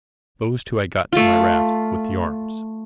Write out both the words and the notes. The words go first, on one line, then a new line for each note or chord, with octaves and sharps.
Those two I got to my raft, with the arms.
A3 F4